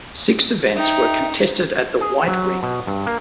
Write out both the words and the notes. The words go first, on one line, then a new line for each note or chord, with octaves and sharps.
Six events were contested at the White Ring.
D#4 E5 G5
G#4
F#3
B2
G2
A#3